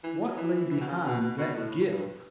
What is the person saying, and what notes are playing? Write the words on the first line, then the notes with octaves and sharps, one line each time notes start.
What lay beyond that give?
E3
F#3
E3
E3
B2
C#3
B2
B2
B2
A2
G2